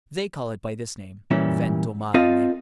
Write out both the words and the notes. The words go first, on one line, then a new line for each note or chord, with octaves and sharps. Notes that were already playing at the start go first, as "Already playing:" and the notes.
They call it by this name--Ventomarme.
A#2 E3 G3 C#4 E4
C4 F4 A4 D#5 F5